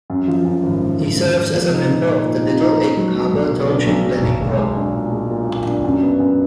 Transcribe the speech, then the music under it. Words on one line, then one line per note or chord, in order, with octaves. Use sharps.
He serves as a member of the Little Egg Harbor Township Planning Board.
F#2
F3
F#2
G#1
G#1
G#1
G#1
G#1
F3
D#4
A#2
D#4
A#2
D#4
D#4
D#4
F#3
F#3
B1
B2
D4
B1
F#3
B1
G#3
G#3
D4
A#2
G#3
A#2
A#2
D4
F#2
B3
F#2